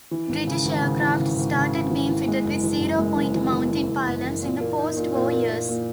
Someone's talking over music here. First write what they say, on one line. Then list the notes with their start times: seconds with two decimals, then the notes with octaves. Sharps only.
British aircraft started being fitted with "Zero-Point" mounting pylons in the post-war years.
0.11 E3
0.29 G#1
0.47 C#3
0.65 G#1
0.83 C#3
1.01 E3
1.19 C#3
1.37 G#1
1.55 C#3
1.73 C#3
1.91 E3
2.09 E3
2.27 G#3
2.45 F#1
2.63 E3
2.81 F#2
2.98 G#3
3.17 F#1
3.35 E3
3.53 E3
3.71 E3
3.89 F#1
4.07 F#1
4.24 E3
4.42 A#2
4.61 A#3
4.78 D#4
4.97 A#2
5.15 A#2
5.33 A#3
5.50 A#3
5.69 A#2